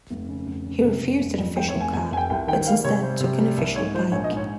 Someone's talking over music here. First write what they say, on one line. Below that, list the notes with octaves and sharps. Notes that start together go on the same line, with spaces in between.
He refused an official car, but instead took an official bike.
F1
C#3
F1
C#3
C3
F1
F1
F2
F1 G5
C#5
F1
G#5
F2 G#5
F1 G#5
G5
C2 G5
D#3 G5
G3 F5
C3 C#5
G3 C5
C3
G3
C2
G#2 C#5
F3 C5
A#1 C#5
D#5
G#2
C#5